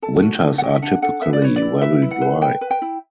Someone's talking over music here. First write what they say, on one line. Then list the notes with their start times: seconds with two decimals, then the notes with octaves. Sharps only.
Winters are typically very dry.
0.02 A4 A5
0.22 F#4
0.43 D4
0.58 F#5
0.63 F#4 G5
0.75 E5
0.82 D4 F#5
1.02 A4 F#5
1.22 B4 E5
1.33 D5
1.42 B4 C#5
1.56 D5
1.62 E4
1.82 B4 E5
2.02 E4
2.11 F#5
2.21 B4
2.42 B4 G5
2.61 B4
2.71 G5
2.82 E4